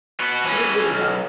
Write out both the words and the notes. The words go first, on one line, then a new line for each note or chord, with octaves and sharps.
She just wouldn't come.
B3 F#4
E3 C#4
B1